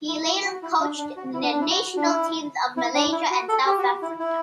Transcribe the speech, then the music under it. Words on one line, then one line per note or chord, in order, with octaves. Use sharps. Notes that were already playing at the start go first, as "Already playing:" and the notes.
He later coached the national teams of Malaysia and South Africa.
E4
E4
F#4
E4
D4
D4
F#4
E4
D4
D4
E4
F#4
D4
E4
E4
D4
E4
F#4
A4
G4
F#4
G4
E4
E4